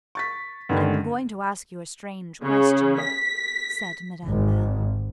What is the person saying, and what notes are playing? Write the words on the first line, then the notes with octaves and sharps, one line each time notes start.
"I'm going to ask you a strange question," said Madame Merle.
C#6 A6 B6
G2 D3 D#3 B3 C#4 D4
C#3
B6
G#1